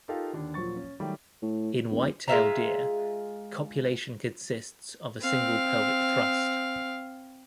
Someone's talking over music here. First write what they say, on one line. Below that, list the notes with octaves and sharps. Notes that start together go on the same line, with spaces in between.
In whitetail deer, copulation consists of a single pelvic thrust.
D#4 F4 G4 A4 A#4 F5
D#2 D3 D4
A#2 F3 F#3 C#6 A6
C#4
D#3 F#3 G3 A3
A2
E1
G#3 F4 E5 A#5
C4 F5